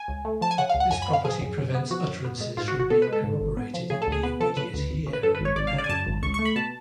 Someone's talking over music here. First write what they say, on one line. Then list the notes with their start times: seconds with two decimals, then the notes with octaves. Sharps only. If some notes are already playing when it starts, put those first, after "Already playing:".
This property prevents utterances from being corroborated in the immediate 'here' and 'now.
Already playing: G#5
0.08 C#2
0.25 A3
0.41 F3 A5
0.51 G#5
0.58 C#3 F#5
0.69 C#2 F5
0.80 F#5
0.91 F#2 G#5
1.02 B5
1.08 B3
1.13 F5
1.24 F3 G#4
1.41 F#2
1.58 F#2
1.74 B3
1.91 F3 F#4
2.08 F#2
2.25 B3
2.41 G#3
2.57 G#2 F4
2.68 F#4
2.74 G#1
2.80 F#4
2.90 B3 A4
3.02 B4
3.07 G#3
3.13 A4
3.24 G#2
3.40 G#1
3.57 B3
3.74 F3
3.90 C#3 G#4
4.02 D2 A4
4.12 G#4
4.23 B3 B4
4.40 F3 A4
4.57 C#3 B4
4.73 D2
4.90 G#1
5.07 C#3
5.13 B4
5.23 F#2 A4
5.35 G#1 B4
5.45 C#5
5.56 G#1 D5
5.67 F5
5.73 C#3
5.78 D5
5.84 G#5
5.89 F#2 A5
6.06 G#1
6.22 C#2 C#6
6.34 A3 C#6
6.45 B5
6.56 B2 A5